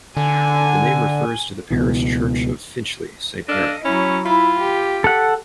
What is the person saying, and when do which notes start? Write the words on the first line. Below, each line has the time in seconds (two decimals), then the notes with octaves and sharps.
The name refers to the parish church of Finchley, Saint Mary.
0.17 D3 G#5
1.71 C#2 B2 E3
3.48 D4 A4 D#5 F5
3.85 F#3 C#4 E4 B5
4.25 E4 F4 B5
4.60 G4
5.04 A4 F#5